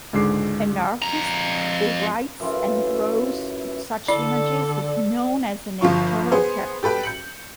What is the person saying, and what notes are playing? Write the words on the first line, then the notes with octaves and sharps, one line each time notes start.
An artist who writes and draws such images is known as an editorial cartoonist.
C#2 G#2 D3 G#3 D6 C7
F2 A#5
F#2 E3 F4 A4
D3 E4 A4 D5
G1 F3 F4 C#6
B3 G#4 C5
G4 A4 B4 G5
G6 C#7 F#7